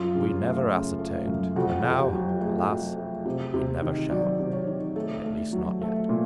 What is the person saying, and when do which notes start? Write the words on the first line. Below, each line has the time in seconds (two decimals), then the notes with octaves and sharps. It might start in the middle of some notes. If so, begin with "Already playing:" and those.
We never ascertained, and now, alas! we never shall, at least not yet.
Already playing: F#2 F4
0.15 C#3
0.43 A3
0.71 C#3
0.99 A3
1.27 F#2
1.56 F2 F#4
1.84 F2
1.98 G4
2.13 F#3
2.41 A3 G#4
2.70 F#3
2.98 A3
3.25 C3
3.54 C3
3.82 D#3
4.10 F#3 D5
4.39 C3
4.53 C#5
4.67 D#3
4.96 A3 A4
5.25 A3
5.53 F#3
5.81 A3
6.09 A#2